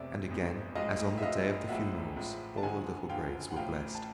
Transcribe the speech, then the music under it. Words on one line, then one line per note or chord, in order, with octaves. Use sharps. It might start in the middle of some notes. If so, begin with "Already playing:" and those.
And again, as on the day of the funerals, all the little graves were blessed.
Already playing: F1 E2 C3 D5 E5
F1 E2 C3
A1 G#2 F3 G#3 D#5 F5
E5
A1 G#2 F3 G#3 D#5 F5
A1 A2 F3 G#3 E5 F#5
A1 A2 F3 G#3
A5
F#1 F#2 D3 F3 G#3 F#5 G#5
F#1 F#2 D3 F3 G#3 F5 G5
F#5
A1 A2 F3 F5 G5
A5